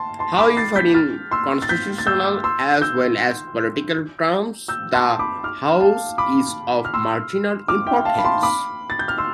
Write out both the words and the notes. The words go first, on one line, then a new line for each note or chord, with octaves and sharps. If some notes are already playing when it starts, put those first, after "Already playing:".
However, in constitutional as well as political terms, the House is of marginal importance.
Already playing: A5 C6
A5 C6
B5 D6
A6 C7
G6 B6
F6 A6
C6 E6
A6
G6 B6
A6
E6 G6
C6 E6
E6 G6
E6 G6
A5 C6
B5 D6
D6 F6
F5 A5
B5 D6
F6
C6 E6
D6 F6
E5 G5
F5 A5
B5
A5 C6
B5 D6
A6
G6
F6
C6 E6